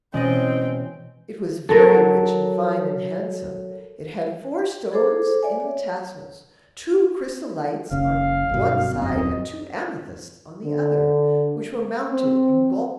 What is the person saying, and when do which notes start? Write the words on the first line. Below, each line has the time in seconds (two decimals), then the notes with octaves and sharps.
It was very rich and fine and handsome; it had four stones in the tassels--two chrysolites on one side, and two amethysts on the other, which were mounted in gold.
0.14 B2 E3 G#3 C4 C#4 D5 D#5 G5
1.69 F#3 A4 A#4
4.92 G#4 A4 C5 D6
5.43 C#5 D5 E5 G#5
5.60 C#5
7.91 F#1 C#3 F5
8.49 G1 F#2 B2
9.02 D#1 F#2 C4 D#5
10.64 D3
12.11 C4